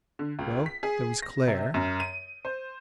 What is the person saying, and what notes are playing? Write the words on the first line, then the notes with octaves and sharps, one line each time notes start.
Well, there was Clare.
D3
C#2
B6
G#4
A#6
C3
F#2
D#7
C5